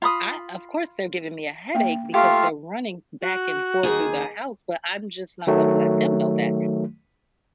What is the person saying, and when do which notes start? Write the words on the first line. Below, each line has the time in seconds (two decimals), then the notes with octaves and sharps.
I of course, they're giving me a headache because they're running back and forth through the house, but I'm just not gonna let them know that.
0.02 F4 B5 D#6
1.75 A#3 G5
2.14 A3 F4 G4 F5
3.21 F#4
3.83 D#2 G#4
5.47 D#3 F#3 A3